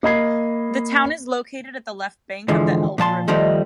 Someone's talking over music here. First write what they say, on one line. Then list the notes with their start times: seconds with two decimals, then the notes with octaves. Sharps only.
The town is located at the left bank of the Elbe river.
0.03 A#3 D#5 B5 G#6 C7
2.48 G#2 D3 E3 F3
2.98 A#2 F3 A5 C6
3.28 D#3 F3 G3 A3 D#4